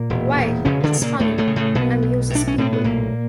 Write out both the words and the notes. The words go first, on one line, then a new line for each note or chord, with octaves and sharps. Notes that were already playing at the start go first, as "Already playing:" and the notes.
Why, it's funny, and amuses people.
Already playing: A#2 A#3
E1
E1
E1 C#3 C#4
D3 D4
C#3
A#2 A#3
D2 A2 A3
A2 A3
C#3
A2 A3
B1 B2 B3
B1
A2
D4
C#4
A2 C4
B3
B1 A#2 A#3